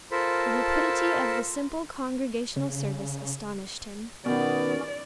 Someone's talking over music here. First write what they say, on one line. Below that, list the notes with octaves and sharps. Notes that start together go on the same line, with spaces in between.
The rapidity of the simple Congregational service astonished him.
F4 A4 A#4 C5 A5 B5
C#3
B2 D#3 B3 C#4 F#4 A#4 D5